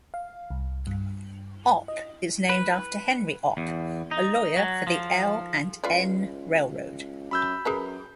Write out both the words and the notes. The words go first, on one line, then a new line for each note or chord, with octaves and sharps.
Opp is named after Henry Opp, a lawyer for the L and N railroad.
F5
C2
G2
D#5
B4
E2
D#4
F#3
F3
C#2 F4 B4 D5
F#2 B5 E6 G6
F#2 G#4 A#4 B4